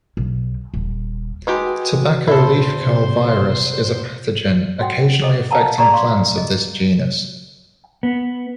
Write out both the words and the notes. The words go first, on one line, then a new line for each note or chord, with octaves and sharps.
Tobacco leaf curl virus is a pathogen occasionally affecting plants of this genus.
B1
D#1
D#3 G#3 F#4 G4 B4
E2 A#2 E4 A4 C5 C6
C3
F#4 F#5 G5
G#4 A4 D#5
A#4 F5 F#5 A5 A#5
G#4 D5 A#5 C#6
D5 F5 C6 C#6
G#4 D#5
B3